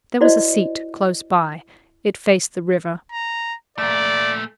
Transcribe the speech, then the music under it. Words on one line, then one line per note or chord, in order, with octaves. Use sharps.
There was a seat close by; it faced the river.
E4 F#4 C5 D5 D#5
A#5
A#2 A3 D5